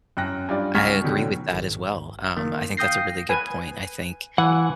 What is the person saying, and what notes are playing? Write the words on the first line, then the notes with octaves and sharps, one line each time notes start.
I agree with that as well. Um, I think that's a really good point. I think,
F#2 G5 F#6 A#6
G2 F4 D5
C#2 C#6 F6 G#6 B6
B2 D3 D#3 F#3
G#1
D#3 A#3
F5 G5 D#6 G6 A#6 C7
B4 G#5
E3 F#5 G#5